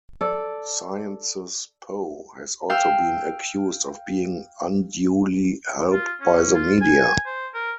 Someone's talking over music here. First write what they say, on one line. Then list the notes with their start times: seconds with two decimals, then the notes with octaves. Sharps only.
Sciences Po has also been accused of being unduly helped by the media.
0.21 A4 D5
2.70 F5 G5 E6
5.93 F4
6.21 C#4
6.54 F4
6.81 G#5
7.26 C5
7.54 A#4